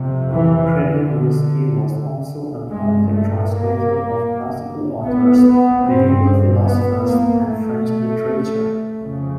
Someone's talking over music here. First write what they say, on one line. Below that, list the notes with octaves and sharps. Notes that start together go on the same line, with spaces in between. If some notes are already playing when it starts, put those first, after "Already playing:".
Trediakovsky was also a prolific translator of classical authors, medieval philosophers, and French literature.
Already playing: F2 C3
E3
D3
G2 G#3
A3
A#3
B3
B3
G2 C4
B3
A#3
A3
F2 C#3